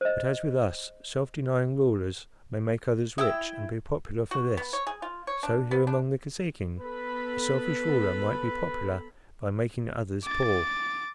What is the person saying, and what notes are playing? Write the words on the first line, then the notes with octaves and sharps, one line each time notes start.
But as with us self-denying rulers may make others rich and be popular for this, so here among the Kosekin a selfish ruler might be popular by making others poor.
C5 D#5
E4 G5 D#6 E6
F#4
B3
C#5
G#4
F4
C#5
D4
B3
D4
B3 A4 B4 B5
D6 A6